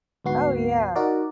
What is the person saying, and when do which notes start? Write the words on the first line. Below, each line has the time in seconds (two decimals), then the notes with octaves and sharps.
Oh, yeah.
0.25 D2 G#2 B3 F#4 C7
0.95 D#4 F#4 A#4 D5